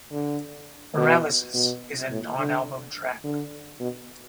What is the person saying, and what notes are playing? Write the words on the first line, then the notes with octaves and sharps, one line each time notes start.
"Paralysis" is a non-album track.
D3
B2
B2
A2
D3
D3
B2